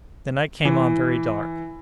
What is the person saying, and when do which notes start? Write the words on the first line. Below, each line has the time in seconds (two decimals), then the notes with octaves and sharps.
The night came on very dark.
0.65 E3